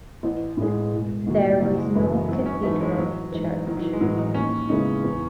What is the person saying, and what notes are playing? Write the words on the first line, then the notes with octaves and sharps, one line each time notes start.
There was no cathedral church.
A1 E3
A2 G#3
E1
D#2 D#3 F#3
F#1 F#3
G#3
F#2 E3 A3 B3 E4
G#1 F#3
C#4
G#2 E3 A3
G#3
A1 F#3
G#2 E3
A1 D#3
F#3
E3
G#3
A2 E3 F#3
D#4
D#2 C#4
C#3 G#3 B3 D#4 E4
E2